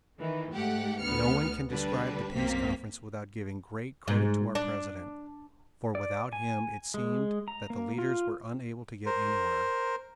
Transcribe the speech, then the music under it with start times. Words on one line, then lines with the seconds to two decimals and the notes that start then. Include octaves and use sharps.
No one can describe the Peace Conference without giving great credit to our president, for without him it seemed that the leaders were unable to get anywhere.
0.19 D#3 E3
0.53 G#2 A3 G4 F#5
0.99 D2 B3 F6 C#7
1.71 D3 G3 D4 B4
2.34 B1 F#2 A#3 C4 B6
4.08 G#2
4.55 D4
5.95 D5
6.33 G#5
6.94 G#3
7.48 A#5
7.70 A#3
7.98 F4
9.06 A#4 C5